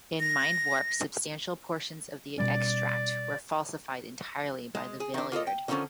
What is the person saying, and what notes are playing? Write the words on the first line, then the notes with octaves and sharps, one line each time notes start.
In "Mindwarp" substantial portions of the extract were falsified entirely by the Valeyard.
A#6
B2 G3 C#4 D5
G#3
G#4
D#3 D4
A#3 F4 A4 D#5
G5
D3 D#3 F3 G#3 C#4 A5